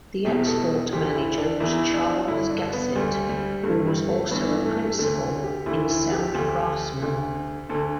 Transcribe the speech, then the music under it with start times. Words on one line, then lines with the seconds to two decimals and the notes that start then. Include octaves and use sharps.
The export manager was Charles Gassett, who was also a principal in Soundcraftsmen.
0.25 E2 B2 G4
0.48 A4
0.92 D2 D3 G4
1.15 E4
1.38 D4
1.60 E2 E3 E4
1.94 D4
2.28 G2 D3 E4
2.50 D4
2.73 B3
2.95 D2 D3 G3
3.29 G3
3.63 G2 D3 A3
3.86 G3
4.08 A3
4.31 G2 E3 B3
4.65 A3
4.99 D2 D3 A3
5.44 G4
5.66 D2 D3 E4
5.89 E4
6.12 G4
6.35 D2 D3
7.02 D2 D3
7.70 D2 D3 A4